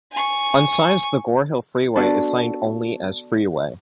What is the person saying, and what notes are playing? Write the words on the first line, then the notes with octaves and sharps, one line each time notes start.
On signs the Gore Hill Freeway is signed only as "Freeway".
G#5 C#6
B3 D4 F#4 A4